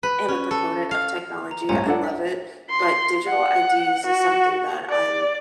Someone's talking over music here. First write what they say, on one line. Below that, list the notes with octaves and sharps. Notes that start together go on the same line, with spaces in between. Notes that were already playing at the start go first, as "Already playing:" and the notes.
am a proponent of technology, I love it, but digital IDs is something that I'm
B4
C#4
A4
F5
A#5
C2 A2 C#5 G#5 A#5
D4 A4 F#5
E5
C6
F#5
F#4
D5